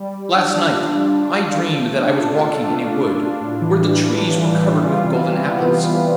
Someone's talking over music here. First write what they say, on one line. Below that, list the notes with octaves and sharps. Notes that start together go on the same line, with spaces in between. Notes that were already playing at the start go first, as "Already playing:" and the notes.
Last night I dreamed that I was walking in a wood, where the trees were covered with golden apples.
Already playing: G3
G3
D4
F4
G3
G3
D4
F4
A4
A3
D4
F4
A4
A3
D4
F4
D4
A2
E3
G3
D4
A2
E3
G3
F4
C3
E3
B3
F4
C3